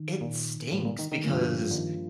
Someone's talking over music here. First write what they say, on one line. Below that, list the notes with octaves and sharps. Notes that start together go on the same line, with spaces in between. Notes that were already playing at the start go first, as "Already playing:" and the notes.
It stinks because
Already playing: D#3
A#2
A2
A#2
D#3
D#3
G2 D3 F3 A#3
D3
D#3